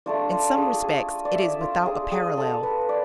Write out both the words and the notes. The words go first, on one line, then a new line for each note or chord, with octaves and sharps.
In some respects it is without a parallel.
A3 D4 F4 D5
F4
G#4
G#4
D5
E5
F4
G#4
G#4
A4
B4
D5